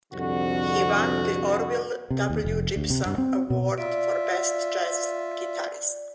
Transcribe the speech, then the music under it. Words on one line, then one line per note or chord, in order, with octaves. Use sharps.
He won the Orville W. Gibson Award for Best Jazz Guitarist.
C2 F2 D3 F#4
C3
D#2
F1
D2
C3
G2
C4
B2
F4 D5 E5